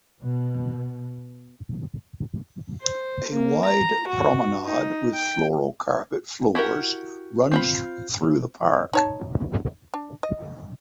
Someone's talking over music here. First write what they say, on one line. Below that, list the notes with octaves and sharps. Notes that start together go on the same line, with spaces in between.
A wide promenade with floral carpet floors runs through the park.
B2
C5
A#3
A#5
F#4
D#4
G5
E4 F#4 G4 A#4
C4 F4 B5
D#4 C#5 A5
D4
D#5